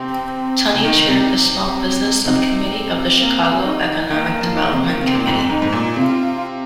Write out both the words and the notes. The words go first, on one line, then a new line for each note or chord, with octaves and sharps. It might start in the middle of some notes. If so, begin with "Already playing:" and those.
Tunney chaired the small business subcommittee of the Chicago Economic Development Committee.
Already playing: C3 C4
C3
D#3 D#4
C3
C3 D#4
A#3
D#4
D#3 A#3
D#3
F3
D#3
C3
D#3
C3 C4
A#2
G#2
F2
G#2 D#4
G#2
A#2
C3 F4